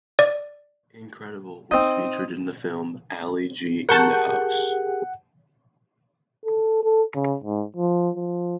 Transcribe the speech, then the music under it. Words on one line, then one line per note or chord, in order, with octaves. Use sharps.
"Incredible" was featured in the film "Ali G Indahouse".
D5
C4 D#4
G4 G#4 A#4 F#5 A5 C#6 G6
A4
A4
C#3
G#2
F3
F3